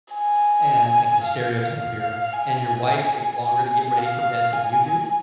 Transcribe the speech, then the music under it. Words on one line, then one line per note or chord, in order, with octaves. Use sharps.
and I can just stereotype here, and your wife takes longer to get ready for bed than you do?
G#5
F5
F5
G#5
G#5
F5
G#5